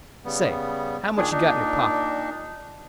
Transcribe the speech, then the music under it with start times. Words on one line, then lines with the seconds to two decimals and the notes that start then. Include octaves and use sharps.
Say, how much you got in your pocket?
0.25 C#3 G3 B3
1.17 A#2 D#3 D4 G#4
1.31 A#2 D4 D#4